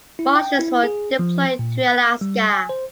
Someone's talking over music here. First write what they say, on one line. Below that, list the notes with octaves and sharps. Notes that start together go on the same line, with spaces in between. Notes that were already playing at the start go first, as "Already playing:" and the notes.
Marshals were deployed to Alaska.
E4
G5
E4
G#4
F3
A#2
F#6
G3
G#5
C5